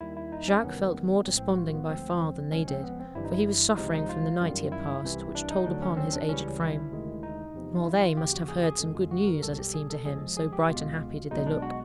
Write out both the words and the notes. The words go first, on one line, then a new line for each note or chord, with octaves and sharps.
Jacques felt more desponding by far than they did, for he was suffering from the night he had passed, which told upon his aged frame; while they must have heard some good news, as it seemed to him, so bright and happy did they look.
D#2 D#3 G3 E4
E4
D#4
C#4
E2 C3 D#3 G3 B3
A#1 A2 F3 G#3 C4
C4
F#4
F4
B3
D2 D3 F3 G#3 C4
D2 C3 F3 G#3 C#4
C4
B3
C4
G1 G2 E3 G3 E4
D#4
E4
C#2 C3 F3 G#3 D#4
D#4
F4
F#2 D#3 G3
E4
C2 C3 E3
D4
D#4
D2 D3 F#3 D4
C#4
C4
D4
C#2 C#3 E3 G3 C#4
E4
D2 C3 D#3 G#3
D#4
E2 C3 F3
F4
E4
F4
D#2 C#3 F3 G4
F#4
G#4
G4
G#4
F2 D3 F3 G#3 A4
F4
F#4
A#4
B1 B2 G3 A4
G4
G#4
A4
E2 C3 F3 G#3 G#4
G#4
G4
C#2 B2 G#3 F4
B1 B2 G#3 D#4
D4
F#4